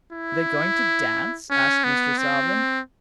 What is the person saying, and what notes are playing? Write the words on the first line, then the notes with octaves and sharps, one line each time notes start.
"Are they going to dance?" asked Mr. Salvin.
E4
C#4
B3
C4